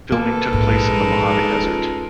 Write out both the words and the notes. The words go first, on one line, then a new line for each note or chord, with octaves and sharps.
Filming took place in the Mojave desert.
A#3 A4 B4
A#1 G#2 G#3 D#4 A#4
C#4 F4